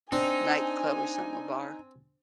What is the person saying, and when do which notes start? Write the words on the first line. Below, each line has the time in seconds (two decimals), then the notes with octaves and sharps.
nightclub or something or bar.
0.12 C4 D4 D#4 G#5